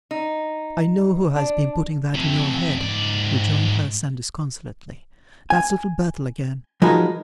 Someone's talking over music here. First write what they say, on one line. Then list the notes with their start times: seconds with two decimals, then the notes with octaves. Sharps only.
'I know who has been putting that in your head,' rejoined her son disconsolately; 'that's Little Bethel again.
0.11 D#4
1.36 D4
2.15 F2 C3
2.78 G#2 D5
5.50 G#5
6.82 F3 F#3 G#3 D#4 A#4 B4